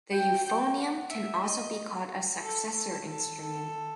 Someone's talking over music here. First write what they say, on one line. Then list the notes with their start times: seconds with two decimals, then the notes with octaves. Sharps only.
The euphonium can also be called a successor instrument.
0.12 G5
0.44 G5
0.78 F#5
1.11 E5
1.43 D#5
2.43 A4
2.76 A4
3.09 A4
3.42 A4